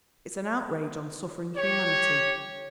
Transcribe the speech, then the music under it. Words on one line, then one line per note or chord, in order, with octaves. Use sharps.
It's an outrage on suffering humanity.
G4 C#5